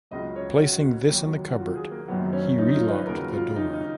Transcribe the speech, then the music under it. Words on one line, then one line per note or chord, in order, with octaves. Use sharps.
Placing this in the cupboard, he relocked the door.
C#2 C#3 F#3 D#5
C#5
F#4
D#2 D#3 F#3
F#4
F4
G#4
A#3
F#1 F#2 D#3 F#3 B3
C#4
D#4
D#4
F4
B4
D#2 C#3 F#3 A#4
F4
D#4
D#4